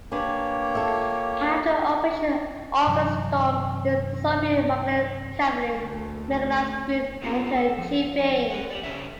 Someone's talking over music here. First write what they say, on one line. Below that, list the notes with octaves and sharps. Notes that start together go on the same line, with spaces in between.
After Operation August Storm, the Soviet-Mongolian Cavalry-Mechanized Group entered Chifeng.
A#3 D4 G4 B4 C#5 G#5
F4 A4 E5
G2 C3 E3 F#3
D2 A3
A3 B3 F4 F#4 G#4
A4
F3
A#4 F#5
G4 G#4 D5
C#3 C#4 A4 C#5 E5